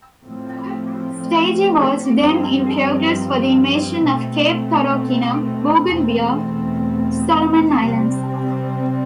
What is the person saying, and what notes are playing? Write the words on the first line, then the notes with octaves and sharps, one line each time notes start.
Staging was then in progress for the invasion of Cape Torokina, Bougainville, Solomon Islands.
A2 F3 A3 C4
G2 F3 C4
B2 A3 C4
E2 B2 A3 C4
C3 G3 C4